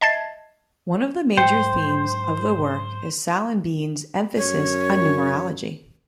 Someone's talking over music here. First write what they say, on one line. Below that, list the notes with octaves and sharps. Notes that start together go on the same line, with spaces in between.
One of the major themes of the work is Salimbene's emphasis on numerology.
D#5 E5 A5 G#6 A6 C7
G#2 F#3 C5 G5
F#2 C#5